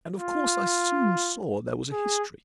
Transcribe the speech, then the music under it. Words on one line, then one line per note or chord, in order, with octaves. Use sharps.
And of course I soon saw there was a history.
F4
G#4